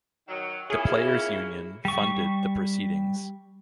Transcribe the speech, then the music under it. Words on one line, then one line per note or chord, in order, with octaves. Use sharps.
The Players' Union funded the proceedings.
D#3 F#3
F2 A#3 C#4 E4 G#4
G3 C#6